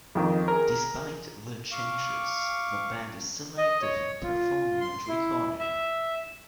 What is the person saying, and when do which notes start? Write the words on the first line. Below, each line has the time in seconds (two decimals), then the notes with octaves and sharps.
Despite the changes, the band is still active in performing and recording.
0.15 F2 D#3
0.48 G#4 A#4
1.72 F5 C#6 D6
3.57 D#5
3.82 C#5
4.23 F4
4.81 C6
5.09 E4
5.60 E5